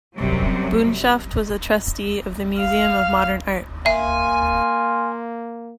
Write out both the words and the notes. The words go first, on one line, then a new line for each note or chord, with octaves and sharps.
Bunshaft was a trustee of the Museum of Modern Art.
F#2 C3 F#3 G3
F5 F6
A#3 F4 E5 G#5